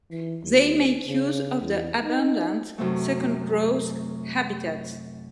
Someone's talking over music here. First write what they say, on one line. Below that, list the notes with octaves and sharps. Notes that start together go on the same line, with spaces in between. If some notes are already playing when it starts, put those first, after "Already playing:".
They make use of the abundant second growth habitats.
E3
D#2
C#3
E2
D#4
F#2 C3 A3